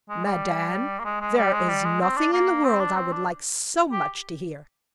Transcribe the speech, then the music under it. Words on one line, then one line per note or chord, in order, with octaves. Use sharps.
"Madame, there is nothing in the world I would like so much to hear."
G#3
G3
A#3
G#3
G#3
G3
G#3
G3
G#3
C4
D4
A#3
C4
D4
C4
D4
G4